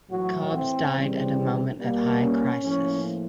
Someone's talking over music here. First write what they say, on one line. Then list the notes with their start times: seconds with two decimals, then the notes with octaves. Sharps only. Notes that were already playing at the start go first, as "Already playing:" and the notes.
Cobbs died at a moment of high crisis.
0.10 A2 E3 F#3 A3 F#4
0.52 C4
0.94 C#3 E3 G3 C4
1.78 B2 G3 A#3
2.20 C#4
2.62 A2 F3 A#3 C#4